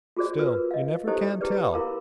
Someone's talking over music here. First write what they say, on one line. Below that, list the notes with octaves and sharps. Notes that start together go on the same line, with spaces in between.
Still, you never can tell.
F4 F#4 G#4 C5 D5
F4 A#4 B4
D#5 F5
D#4 E4 G4 A4 C5 D#5
E4 G4 G#4 B4 D5
E4 A#4 F5 B5 C6 D6